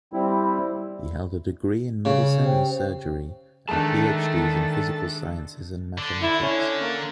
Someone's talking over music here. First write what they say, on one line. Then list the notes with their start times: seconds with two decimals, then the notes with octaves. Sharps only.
He held a degree in Medicine and Surgery and PhDs in Physical Sciences and Mathematics.
0.13 G3 C4 E4
2.05 C#3
2.42 G4 C5 G5
3.69 D#3 G#3 D4 A4 E5 A5
5.98 D3
6.22 E4
6.43 C#4
6.82 A#3